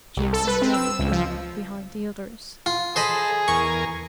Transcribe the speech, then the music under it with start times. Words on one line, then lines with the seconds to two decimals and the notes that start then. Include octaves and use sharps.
Jim and Wally lingered behind the others.
0.17 C2
0.33 A4
0.47 B4
0.62 C4
0.73 E6
0.99 C#2
1.12 F3
2.66 F4
2.96 G#4 A4 C5 D#5 B5
3.48 E2 A#4 G#5 C#6